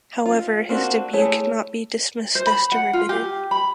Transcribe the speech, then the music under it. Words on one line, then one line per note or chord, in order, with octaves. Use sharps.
However, his debut cannot be dismissed as derivative.
F4
A#3 C4 D4 F#4
A3 E4 G#4 C#5
C5
B5
F#5
F4
G4
B5